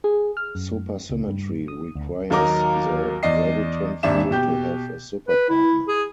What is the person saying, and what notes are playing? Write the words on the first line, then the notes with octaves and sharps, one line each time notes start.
Supersymmetry requires the graviton field to have a superpartner.
G#4
F6
F#2
C#2
G2
D#6
D2
D#2 F#3 D#4 A#4 D6
E2 D5 D#5 C7
D#1 G#1 D4 E5 E7
B2 G4 G6
B4
E4
G#4